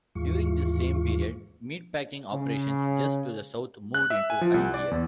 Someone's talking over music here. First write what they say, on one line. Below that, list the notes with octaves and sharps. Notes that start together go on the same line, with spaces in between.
During this same period, meatpacking operations just to the south moved into high gear.
D#2 G#2 E3 G#3 F4 C#6
C#3
F#6
E5
G#5
F3
C2
D5
E2